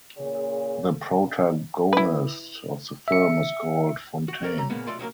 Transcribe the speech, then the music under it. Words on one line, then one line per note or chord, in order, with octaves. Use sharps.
The protagonist of the film is called Fontaine.
A#2 C#3 G#4 C#5
E4 B4
E5 C#7
F#4
F#4 A#4 D5
F#3 A#5
A#2 C#3 G#3 A#3 B3
B1 A3 F4 D5 C6
C#3 F#3 A#3 A#4